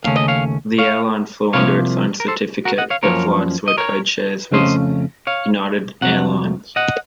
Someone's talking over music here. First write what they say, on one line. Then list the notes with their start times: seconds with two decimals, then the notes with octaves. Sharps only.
The airline flew under its own certificate, but flights were code-shares with United Airlines.
0.04 D#2 C#3 A3 C#4 F5
0.16 D#5
0.28 C#5 F5
0.78 C#5 F5
1.53 C2 C3 F3 A#3 C#5 F5
2.20 A#4
2.28 A4 C5
2.65 F#4 A#4
2.78 D#5 F#5
2.90 C#5 F5
3.03 F#2 F3 A#3 C#4 A#4 C#5
3.68 D#5
3.78 A#4 C#5
4.52 F2 C#3 A3 C#4 C5 D#5
5.27 C#5 F5
6.01 F2 C3 F#3 F#5
6.76 D#5 F#5